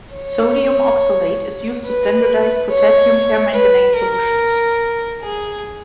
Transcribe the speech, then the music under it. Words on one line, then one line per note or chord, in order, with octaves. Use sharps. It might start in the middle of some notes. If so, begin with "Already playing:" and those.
Sodium oxalate is used to standardize potassium permanganate solutions.
C#5
B4
C#5
B4
A#4
G#4